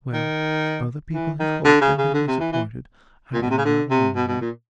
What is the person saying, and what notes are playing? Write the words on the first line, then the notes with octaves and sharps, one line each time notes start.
Well, other people have hoped and been disappointed; I am not alone in that.
D#3
E3
D#3
D3
C#3
C#3
D3
C3
E3
E3
A#2
B2
C3
C#3
D3
C3
B2
B2
A#2